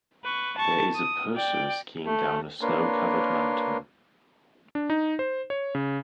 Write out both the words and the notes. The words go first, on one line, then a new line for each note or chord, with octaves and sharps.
There is a person skiing down a snow covered mountain.
B4 C#6
A5 C#6
D#6
D5 G5
A3
A#3 D4 A#4 B4 C#5 C6
D4
D#4
C5
C#5
C#3